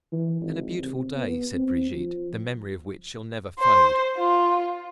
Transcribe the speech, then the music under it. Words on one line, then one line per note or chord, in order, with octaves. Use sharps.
"And a beautiful day," said Brigitte, "the memory of which shall never fade."
E3
G#1
C3
B3
C4
F3
C5
F4